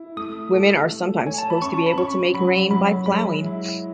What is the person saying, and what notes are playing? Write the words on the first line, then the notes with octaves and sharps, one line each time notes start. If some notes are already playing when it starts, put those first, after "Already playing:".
Women are sometimes supposed to be able to make rain by ploughing.
Already playing: E4
A3 D#6
A4
A3
C#5 G#5
A5
B5
C#4 C#6
A5
B5
C#4 C#6
F#3 B5
F#3 B5
G#3 B5
E4